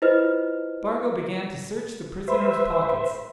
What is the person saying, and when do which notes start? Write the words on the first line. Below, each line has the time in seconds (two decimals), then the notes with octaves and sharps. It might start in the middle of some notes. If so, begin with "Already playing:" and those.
Spargo began to search the prisoner's pockets.
0.02 E4 F4 B4 C5 D#5 F6
2.28 B4 C5 E5